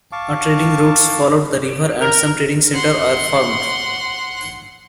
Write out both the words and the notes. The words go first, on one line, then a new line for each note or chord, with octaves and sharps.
Trading routes followed the river and some trading centers were formed.
F5 A5 C#6 D6
A#4
F#5 C6